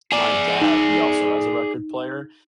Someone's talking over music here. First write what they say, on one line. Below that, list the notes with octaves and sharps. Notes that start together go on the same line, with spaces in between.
my dad, he also has a record player,
G#4 D5
D#4